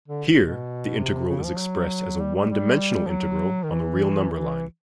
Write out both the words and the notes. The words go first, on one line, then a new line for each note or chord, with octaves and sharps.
Here, the integral is expressed as a one-dimensional integral on the real number line.
D3
B2
C3
C#3
F3
F#3
G3
G3
G3
F3
F#3
D#3
E3
E3